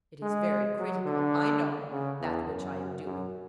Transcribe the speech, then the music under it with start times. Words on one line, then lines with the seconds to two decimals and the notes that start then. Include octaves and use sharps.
It is very critical--I know--that which I am doing.
0.22 G#3
0.78 F#3
1.06 D3
1.92 C#3
2.20 E2
2.48 F#2
3.05 F#2